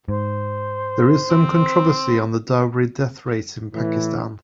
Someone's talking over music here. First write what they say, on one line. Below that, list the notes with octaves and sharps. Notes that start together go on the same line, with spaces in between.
There is some controversy on the dowry death rates in Pakistan.
G#2 C5
C4
A2 E3